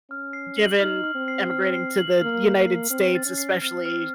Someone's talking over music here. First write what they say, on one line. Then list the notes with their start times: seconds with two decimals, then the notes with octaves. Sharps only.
given immigrating to the United States, especially,
0.10 C#4 F6
0.33 C7
0.58 F#7
0.80 D#4 F6
1.04 F6
1.15 C4
1.28 C7
1.51 F6
1.74 C7
1.98 F#7
2.21 A#3 F6
2.44 F6
2.56 A#3
2.67 C7
2.91 C4 F6
3.15 A6
3.26 C#4
3.38 C7
3.62 C4 F6
3.86 F6